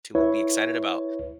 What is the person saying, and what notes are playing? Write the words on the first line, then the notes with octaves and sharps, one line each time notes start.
to be excited about.
E4 B4 C#5